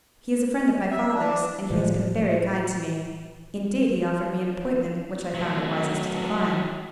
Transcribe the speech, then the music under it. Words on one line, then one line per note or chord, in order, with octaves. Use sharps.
He is a friend of my father's, and he has been very kind to me--indeed, he offered me an appointment, which I found it wisest to decline.
E5
D4
A2 E3 F3
F#3 A3